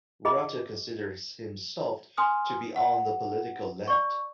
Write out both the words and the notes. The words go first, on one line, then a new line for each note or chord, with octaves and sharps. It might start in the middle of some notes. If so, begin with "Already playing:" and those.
Rutter considers himself to be on the political left.
G#4 D#5 B5
G#5 C6 D#6 F6
F#5
D5 C#6